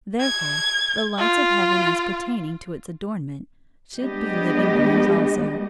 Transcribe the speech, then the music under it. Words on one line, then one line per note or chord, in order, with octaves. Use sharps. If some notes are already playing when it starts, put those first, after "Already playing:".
Therefore the lights of heaven, as pertaining to its adornment, should be living beings also.
G#6
F4
G3 G#3 B3 D4 G4 D#5